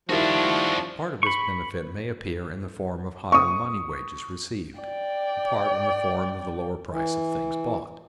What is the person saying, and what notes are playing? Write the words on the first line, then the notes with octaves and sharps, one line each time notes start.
A part of this benefit may appear in the form of higher money wages received, a part in the form of the lower price of things bought.
D#3 F3 G3 D4 E4 F#4
B5 C#6
C#6 D#6
D5 G5
E3